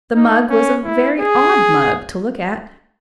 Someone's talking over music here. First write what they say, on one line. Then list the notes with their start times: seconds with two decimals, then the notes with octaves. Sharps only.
The mug was a very odd mug to look at.
0.15 D#4
0.50 C#4
0.84 E4
1.20 G#4